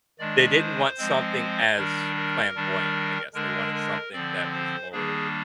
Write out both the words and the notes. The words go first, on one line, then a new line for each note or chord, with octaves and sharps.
they didn't want something as flamboyant, I guess. They wanted something that was more
D#3 G#3 D4 D5
C5
F3 G#3 C4
D#3 G3 D4 A#4
A#4
D#3 G3 D4
D3 G#3 D4 A#4
A#4
D3 F3 C4 D5
C5
D#3 G3 A#3 D4 G#4